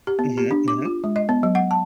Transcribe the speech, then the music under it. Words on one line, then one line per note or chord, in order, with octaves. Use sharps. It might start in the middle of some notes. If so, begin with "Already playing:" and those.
Mhm. Mhm.
G4
B3
G4
D4
D6
F4
G#3
D#5
B3
F#3
F#5
A5